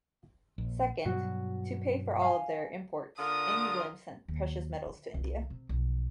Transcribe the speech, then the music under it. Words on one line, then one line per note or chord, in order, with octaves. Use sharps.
Second, to pay for all of their imports, England sent precious metals to India.
A#1
G2 B2 F#3 F#4
F5 G#5
D3 F4 A#4 D#6
D#2
D3
C2 E3
C3
B1 F2